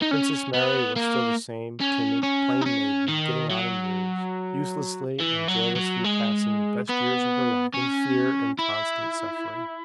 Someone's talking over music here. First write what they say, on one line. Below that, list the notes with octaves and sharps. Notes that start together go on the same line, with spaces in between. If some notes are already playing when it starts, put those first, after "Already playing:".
Princess Mary was still the same timid, plain maiden getting on in years, uselessly and joylessly passing the best years of her life in fear and constant suffering.
D#4
C#4
B3
A#3
C#4
C#4
D#4
C#4
D#3
F#3
E3
F#3
F#3
G#3
B3
C#4
E4